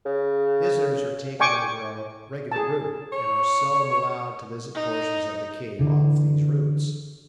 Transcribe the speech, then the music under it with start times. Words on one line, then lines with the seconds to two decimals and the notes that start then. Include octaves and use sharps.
Visitors are taken over a regular route and are seldom allowed to visit portions of the cave off these routes.
0.05 C#3
1.40 D5 G5 G#5 C#6 D6
2.52 G#4 A5
3.12 C#5
4.74 D#4
5.79 D3 E3